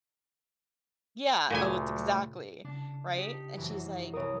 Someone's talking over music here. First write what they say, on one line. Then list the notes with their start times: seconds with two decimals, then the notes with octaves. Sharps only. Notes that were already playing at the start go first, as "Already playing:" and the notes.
Yeah, oh, it's exactly, right? And she's, like
1.50 D2 A#2 C#3 G#5
2.65 C#3 D4
3.17 D4 D#4 G4
3.57 F1 F#2 E3
4.14 C2 C4 A#4 C#5 D#6